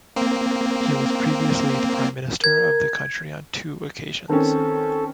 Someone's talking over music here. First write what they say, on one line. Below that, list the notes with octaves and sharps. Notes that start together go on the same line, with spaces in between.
He was previously the Prime Minister of the country on two occasions.
A#3 C4
A#4 G#6
D#3 C4 C#4 A4